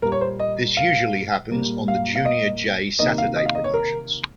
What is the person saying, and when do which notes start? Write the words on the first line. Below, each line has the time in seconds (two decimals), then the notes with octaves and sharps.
This usually happens on the Junior Jay Saturday promotions.
0.02 A#2 G3 A#3 A#4
0.12 C#5
0.21 C5
0.39 D#5
0.77 F5
1.51 A#2 G3 A#3
1.88 F5
2.15 F5
2.25 D#5
2.99 C3 D#3 A#3 D#5
3.18 F5
3.36 D#5
3.46 F5
3.55 D#5
3.64 C#5
3.74 A#4